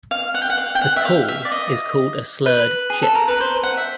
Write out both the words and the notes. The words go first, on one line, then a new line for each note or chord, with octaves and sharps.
The call is called a slurred "chip".
F5
F#5
G5
F#5
F5
G5
F#5
E5
F5
E5
D5
D#5
B4
G#4
A4
A#4
B4
C5
F#5
E5